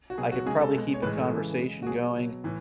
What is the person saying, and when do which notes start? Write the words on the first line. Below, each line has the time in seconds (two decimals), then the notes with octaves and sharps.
I could probably keep a conversation going,
0.10 F#4
0.18 B2 F#3 G#4
0.32 F#4
0.46 C#3 G#3 G#4
0.61 A4
0.74 B2 G#3
0.94 C#5
1.02 A2 E3 G#3 B4
1.17 A4
1.31 C#3 E3 G#3
1.59 C#3 G#3
1.82 F#4
1.87 B2 F#3 G#4
2.15 B2 F#3
2.44 A2 E3